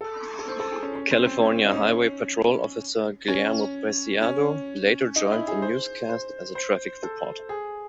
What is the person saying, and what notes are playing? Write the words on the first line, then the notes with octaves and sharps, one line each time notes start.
California Highway Patrol officer Guillermo Preciado later joined the newscasts as a traffic reporter.
A4
A4
C5
A4
G#4
C#4
C#4
C4
C4
C#4
D#4
C#4
C#4
C#4
D#4
E4
G#4
C5
C5
C5
A4
G#4